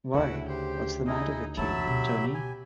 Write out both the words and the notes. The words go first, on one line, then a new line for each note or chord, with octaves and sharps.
Why, what's the matter with you, Tony?
D2 C#3 E4 F#4 B4 F#5
G4 C5
D#4 E4 G#4 D#5
F#2 E3 F#3 E5 A5 B5
B2 G4
G#5